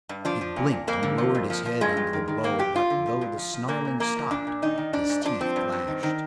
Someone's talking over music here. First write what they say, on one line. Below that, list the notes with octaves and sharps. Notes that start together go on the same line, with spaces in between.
He blinked and lowered his head under the blow, but though the snarling stopped his teeth flashed.
G2
F3 D4
F3
A#2
A#2
F2 A#3
D3
F3
F2
F3
F3
G2 G#3
G2
D#3
D#3
G2 A#3
G2 G4
G2 F4
D3
F3
G2
F3
F3
A#2 A#3
A#2
F3 A#3
F3
A#2 D4
A#2
D#3 D#4
D#3
G#2 D4
G#2
F3 D4
F3 C4
G2
G2
D#3
D#3